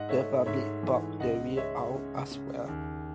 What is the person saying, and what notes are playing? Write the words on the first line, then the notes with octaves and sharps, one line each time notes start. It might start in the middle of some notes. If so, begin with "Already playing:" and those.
The public bought the real Owl as well.
Already playing: G#2 D#5 F#5
A3 C#5 E5
G#2 C#5 E5
E3
C#2 D#5 F#5
G#3 C#5 E5
C#4
C#3
D#2